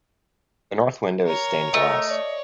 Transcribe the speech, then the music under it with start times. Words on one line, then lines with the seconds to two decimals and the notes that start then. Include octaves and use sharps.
The north window is stained glass.
1.26 A#4 C#5
1.74 A3 D#5
2.08 C#5 D5